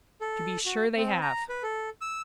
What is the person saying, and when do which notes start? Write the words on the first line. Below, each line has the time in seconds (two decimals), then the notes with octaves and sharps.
"To be sure they have."
0.21 A4
0.66 F#4
0.97 C4
1.22 A#5
1.49 B4
1.63 A4
2.01 E6